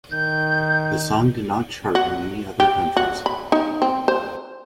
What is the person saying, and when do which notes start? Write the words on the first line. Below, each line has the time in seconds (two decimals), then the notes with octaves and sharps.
The song did not chart in any other countries.
0.12 D#3 G6
1.95 F#4
2.60 G4
2.97 F#4
3.26 B5
3.52 D#4
3.82 C4
4.08 C5